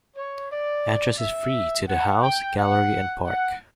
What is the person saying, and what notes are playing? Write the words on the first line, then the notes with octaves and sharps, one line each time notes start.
Entrance is free to the House, Gallery and Park.
C#5
D5
E5
F#5
G5
F#5
F#5